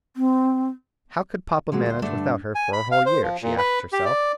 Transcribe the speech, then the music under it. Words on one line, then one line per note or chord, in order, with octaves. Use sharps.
How could papa manage without her for a whole year, she asked herself.
C4
F3 G#3 A#3 F#4
D2 C5
G2 D3 A3 D4
G#5
B5
F5
C5
F3
A#2
B4
G4
D5